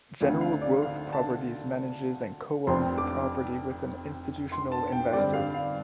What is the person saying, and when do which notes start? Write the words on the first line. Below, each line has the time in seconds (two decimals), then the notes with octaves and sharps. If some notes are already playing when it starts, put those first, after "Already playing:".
General Growth Properties manages and co-owns the property with an institutional investor.
0.20 D2 D3 F3 A3 C4 F5
0.41 F5
0.61 D5
0.82 F5
1.12 A5
2.67 F1 F2 F3 C4 C6
2.98 D6
4.52 C6
4.72 A5
4.92 G5
5.13 G2 D3 G3 C4 D5
5.33 F5
5.54 F5